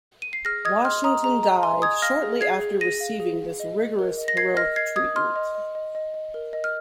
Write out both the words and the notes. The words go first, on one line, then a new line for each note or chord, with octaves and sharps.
Washington died shortly after receiving this rigorous heroic treatment.
D#7
C7
G#4 F6 A#6
D#5 D#6 G#6
D#5 C6 F6
D#5 A#5 D#6
G#4 A#5
D#5 A#5
D#5 G#5 C6
D#5 D#6 G#6
F5 F6 A#6
G#4
G#4 G#6 C7
G#4
G#4 A#6 D#7
F5
G#4
G#4
D#5
D#5
A#4
D#5
A#6
A#4 G#6 C7
D#5 F6 A#6
D#5 G#6 C7
D#5 D#6 G#6
D#5 C6 F6
D#5
D#5
D#5
D#5
D#5
A#4
D#5
F6